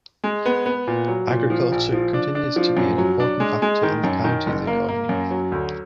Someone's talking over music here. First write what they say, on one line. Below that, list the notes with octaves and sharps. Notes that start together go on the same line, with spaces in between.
Agriculture continues to be an important factor in the county's economy.
G#3
B3
B3
A#2
F#3
A#2
F3
A#1
F3
D4
D4
F3
F#2
F#3
D4
G#3
G#3
D#3
F#2
D#3
F#1
A#3
A#3
F#2
F#3
D2